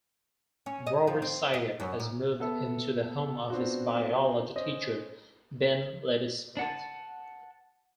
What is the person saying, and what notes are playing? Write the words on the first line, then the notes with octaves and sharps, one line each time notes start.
Robert Cigar has moved into the home of his biology teacher, Ben Ladysmith.
C#4
D#5
F3
C4
D#5
F#2
A#2
B3 A4 E5
B3 C4 D4 F4 F#4
C#4 B4 C5 D#5
D4 F#5 A5